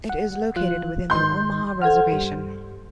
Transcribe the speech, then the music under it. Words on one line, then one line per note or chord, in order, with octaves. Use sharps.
It is located within the Omaha Reservation.
F#5
F3 F4 F#6
G#2 D#3 D#4 C6 G6
A4 C5 F#5 F6 G#6
G2 G3